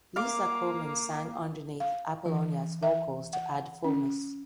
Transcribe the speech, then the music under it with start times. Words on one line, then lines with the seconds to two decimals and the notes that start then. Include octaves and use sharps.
Lisa Coleman sang underneath Apollonia's vocals to add fullness.
0.16 A#3 F5 D6
1.80 F5
2.26 E3
2.83 E5
3.33 F#5
3.84 C#4